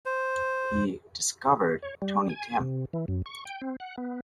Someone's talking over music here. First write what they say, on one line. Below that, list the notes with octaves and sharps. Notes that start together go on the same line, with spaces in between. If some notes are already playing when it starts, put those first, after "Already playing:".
He "discovered" Tiny Tim.
C5
C#5
G3
G#5
C3
E3
F#2
C#6
G5
C4
F#5
B3